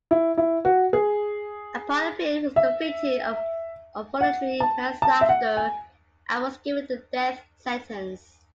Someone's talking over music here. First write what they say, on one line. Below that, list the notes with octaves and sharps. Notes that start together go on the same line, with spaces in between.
Upon appeal, he was convicted of voluntary manslaughter and was given the death sentence.
E4
E4
F#4
G#4
E5
F#5
A5
A5
E5
F#5
G#5